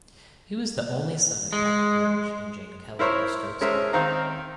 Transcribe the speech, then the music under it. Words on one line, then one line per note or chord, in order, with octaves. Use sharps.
He was the only son of Patrick Lynch and Jane Kelly of Strokestown.
G#3
E4 A#4 C5 C#5 E5
G#3 C#4 A4 A#4 C5 E5
D#3 C4 D#4 F5 A#5